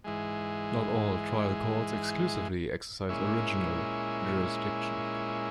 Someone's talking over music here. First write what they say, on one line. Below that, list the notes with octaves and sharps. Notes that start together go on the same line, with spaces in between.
Not all "trial courts" exclusively exercise original jurisdiction.
G#2 E3 G#3
A#2 G#3 C#4 E4